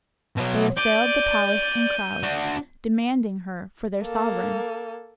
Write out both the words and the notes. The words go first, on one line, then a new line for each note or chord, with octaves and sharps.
They assailed the palace in crowds, demanding her for their sovereign.
B2 F#3
D5 G6 D#7
D4 F#4
A#3 A4